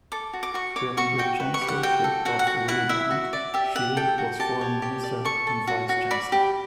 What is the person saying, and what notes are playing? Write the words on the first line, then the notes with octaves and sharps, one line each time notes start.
During the Chancellorship of Willy Brandt, Scheel was Foreign Minister and Vice Chancellor.
A4 D6
F#4
D6
F#4 C#6
C#5 D6
F#4 C#6
F#4 G5
B4
C#6
G4
F#5
F#4 G5
A4
F#4 F#5
F#5
F#4
E4 F#5
E4 E5
F#4
D5
G4 E5
G4 F#5
A4 G5
F#4
G4 A5
C#5
G4
D5
A4 C#6
A4
F#4
F#4
D5 B5
G4